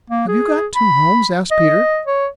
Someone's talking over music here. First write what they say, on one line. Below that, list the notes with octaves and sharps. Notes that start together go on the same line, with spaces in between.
"Have you got two homes?" asked Peter.
A#3
G#4
B5
D#5
C#5